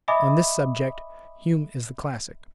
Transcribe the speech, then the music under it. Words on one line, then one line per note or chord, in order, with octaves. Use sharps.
On this subject Hume is the classic.
D#5 E5 G#5 B5 D6 D#6